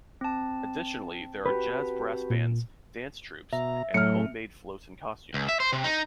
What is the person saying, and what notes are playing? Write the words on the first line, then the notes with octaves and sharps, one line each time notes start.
Additionally, there are jazz brass bands, dance troupes, and home-made floats and costumes.
C4 A5
F#4 G4 B4
A#2
B2 E5 A#5
A2 F#3 A3 F6 C#7
C#2
E5
C5
C3
D#4